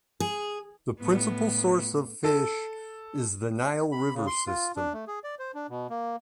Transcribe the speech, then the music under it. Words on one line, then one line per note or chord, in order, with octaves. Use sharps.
The principal source of fish is the Nile River system.
G#4
A2 B3
A4
B5
C#3
C6
F4
D4
A3
G#4
D5
C5
D4
B2
A#3